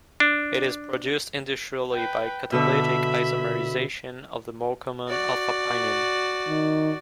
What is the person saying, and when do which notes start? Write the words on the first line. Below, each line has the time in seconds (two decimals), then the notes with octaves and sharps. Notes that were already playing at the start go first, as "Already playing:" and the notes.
It is produced industrially by catalytic isomerization of the more common alpha-pinene.
0.20 D4
1.94 B4 G5
2.52 B2 D3 E5 B5 E6
5.08 F#4 D5
6.48 D#3